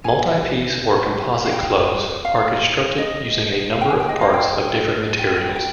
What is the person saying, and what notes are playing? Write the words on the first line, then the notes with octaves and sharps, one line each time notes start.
Multi-piece or composite clubs are constructed using a number of parts of different materials.
G#5
F5
G5
F5
D#5
F5
G5
G#5
G5
D#5
F5
G5
G5
G5
G5